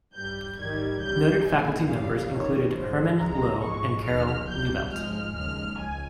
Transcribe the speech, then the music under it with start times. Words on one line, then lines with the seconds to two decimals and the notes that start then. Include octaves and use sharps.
Noted faculty members included Hermann Loew and Karol Libelt.
0.14 G2 G3 G6
0.58 G#2 D#3 G3 G#6
1.01 C#2 C#3 G3 G6
1.44 C2 A#2 G#3 G#5
1.87 F2 C#3 G3 F5
2.31 F2 D#3 G3 C#5
2.75 G#2 F3 G#3 C5
3.18 C#2 C#3 F3 G#3 A#5
3.62 G#2 F3 G#3 C#6
4.05 D#2 C#3 F3 F6
4.48 C#2 C#3 G3 G6
4.92 G#2 F3 G#3 F6
5.36 D#2 C#3 F3 G#3 F6
5.78 C#2 G#5